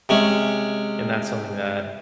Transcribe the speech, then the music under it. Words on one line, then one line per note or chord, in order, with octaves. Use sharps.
And that's something that
C3 G#3 C#4